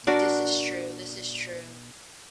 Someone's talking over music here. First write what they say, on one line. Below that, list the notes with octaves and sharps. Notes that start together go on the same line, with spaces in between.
This is true, this is true.
D4 F#4 A#4 D5